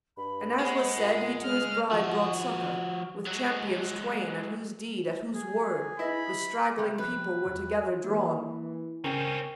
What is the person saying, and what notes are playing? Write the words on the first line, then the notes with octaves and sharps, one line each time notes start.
And, as was said, he to his Bride brought succour With champions twain, at whose deed, at whose word The straggling people were together drawn.
G2 B5
G#3 C5 F#5
A#2
C#3 F6
F3 F#4
F#3 G#3
G#4
E4 B4 D#5 B5 A#6
C3 G3
F3 B4
E2
E3 A#3
C#3 C4 C#4 A#4 G5